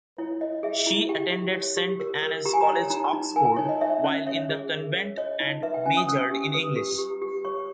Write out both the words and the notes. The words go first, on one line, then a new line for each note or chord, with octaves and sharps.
She attended Saint Anne's College, Oxford, while in the convent and majored in English.
E4 C#5
C#5 D#5
G#4 E5
E4
G4 G5
G4
C#5
G4
A#4
A#4
G4 A#5
G#5
A#5
C#5
D#4 A#5
D#4
A#4 G#5
D#4 C#5
D#5
C#5 E5
C#4
C#5 E5
G#4
A#4
C#5
C#5 D#5
D#4
B4 E5
G5
C#4 G#5
D#6
C#4 E6
G4
B4 D#6
G4
G4
G4
C#5 C#6